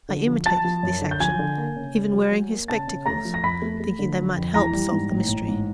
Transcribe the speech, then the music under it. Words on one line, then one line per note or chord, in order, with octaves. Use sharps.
I imitated this action, even wearing his spectacles, thinking they might help solve the mystery.
D3
F3
F3 A5 A6
F3
F#2
D3
G6
F3 G#5 G#6
D3
A#3
C#3
C#3
F#3
F#3
A#3
C#3 A5 A6
C#3
A3 A#5 A#6
F3
A#6
F2 B5 B6
A3
A3
D3
F3
F2
E3 A#5 A#6
G3
G#2
A1
A1
G#2